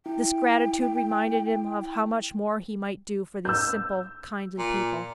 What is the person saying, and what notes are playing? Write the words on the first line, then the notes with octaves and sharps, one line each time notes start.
This gratitude reminded him of how much more he might do for these simple, kindly people.
E4 G5
E6 G6
A#2